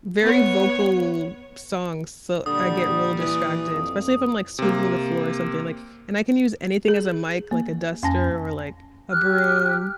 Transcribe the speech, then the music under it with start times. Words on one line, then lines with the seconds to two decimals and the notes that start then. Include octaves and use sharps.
very vocal songs, so I get real distracted, especially if I'm, like, sweeping the floor or something, like and I can use anything as a mic, like, a duster or, like, a broom.
0.22 B3 C#5
2.46 A#2 D3 G3 D#6
3.20 E3
3.73 F2
4.59 C3 A#3
6.88 G#4
7.51 A#3
8.03 F2 C#4 G#5 A5 A#6
9.10 G4 F6 F#6